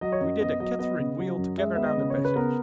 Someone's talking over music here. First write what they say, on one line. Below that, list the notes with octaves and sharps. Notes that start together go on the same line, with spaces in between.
We did a Catharine-wheel together down the passage.
F#3 D#5
C#5
F#2 D#5
B3 D#5
F#3 D#5
B3 D#5
C#3
F#3
F#2
G#3 E5
B3 E5
D#5
C#3
C#5
C#3
B4
B3 A#4